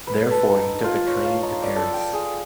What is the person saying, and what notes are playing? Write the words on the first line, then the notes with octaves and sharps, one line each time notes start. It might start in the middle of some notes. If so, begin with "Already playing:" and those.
Therefore he took a train to Paris.
B4
A4
D#4
F4
C#5
F5
D#4
D5
A4
G5
G#4